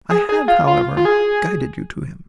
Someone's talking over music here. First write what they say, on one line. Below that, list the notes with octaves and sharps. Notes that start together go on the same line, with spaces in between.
I have, however, guided you to him.
G#4
G#4
F4
F4
F4
G#4